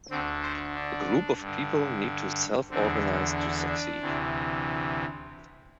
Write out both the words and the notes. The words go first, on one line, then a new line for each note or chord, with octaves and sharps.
A group of people need to self-organize to succeed.
D2 D3 C4
C5
D4
G2 D3
E2 D3 C4
D4
D4
D2 C3 E3